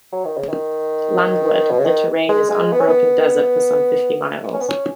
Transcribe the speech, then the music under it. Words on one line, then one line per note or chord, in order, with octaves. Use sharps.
Landward, the terrain is unbroken desert for some fifty miles.
F#3
D#3
C#3
D#3
B2
C#3
D#3
G#3
G#3
B3
C#4
B3
C#4
B3
C#4